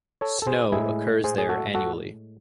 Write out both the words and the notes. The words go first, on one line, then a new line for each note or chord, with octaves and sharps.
Snow occurs there annually.
A4 C#5
A4
G#4 C5
A2 G#3 E4 G#4
G#4 C5
G#4
F#4 A4
F#4 A4